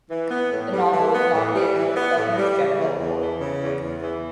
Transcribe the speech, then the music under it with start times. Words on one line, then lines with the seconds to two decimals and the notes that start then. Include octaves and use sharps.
The novel was nominated for a Governor General's Award.
0.10 E3
0.31 B3
0.52 A2
0.72 G3
0.93 E3
1.14 B3
1.34 A2
1.54 G3
1.75 E3
1.96 B3
2.17 A2
2.38 G3
2.58 C#3
2.80 E2
3.00 E2
3.20 E3
3.41 C#3
3.62 E2
3.83 E2
4.03 E3